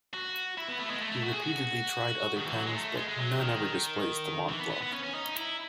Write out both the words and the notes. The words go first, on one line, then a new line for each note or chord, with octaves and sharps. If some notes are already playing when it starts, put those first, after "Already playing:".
He repeatedly tried other pens, but none ever displaced the Montblanc.
F#4
E4
B3
A3
G#3
A3
A3
F#4
G#4
F#4
D#3
E3
F#3
G#3
A3
G#3
G#3
F#3
D#3
E3
B3
B3
B3
C#4
C#4
D#4
E4